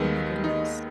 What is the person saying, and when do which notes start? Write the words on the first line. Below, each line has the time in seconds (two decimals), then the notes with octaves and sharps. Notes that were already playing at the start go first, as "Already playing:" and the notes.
Oh my goodness.
Already playing: D#2 D#3 G#3 B3
0.44 D#4